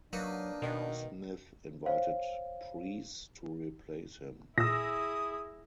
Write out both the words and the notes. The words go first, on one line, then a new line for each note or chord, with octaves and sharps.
Smith invited Preece to replace him.
F#3 A#3 D4 D#4 B4
B2 D#3
C5 C#5 F5
A#2 E4 G#4 D#6 E6 A#6